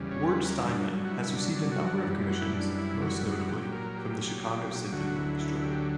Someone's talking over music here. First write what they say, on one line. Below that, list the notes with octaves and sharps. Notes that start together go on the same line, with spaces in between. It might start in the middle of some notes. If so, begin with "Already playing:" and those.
Ward-Steinman has received a number of commissions, most notably from the Chicago Symphony Orchestra.
Already playing: E2 C#3 G3
C#5
B4
A#4
G2 F#3 D4
F#4
E4
D4
D4
F#4
D4
F#2 E3 G3
F#4
E4
D4
E4
F#4
F#4
A#2 F#3 G4
A#4
G4
G4
D2 D3 F#3 F#4
E4
E4
G4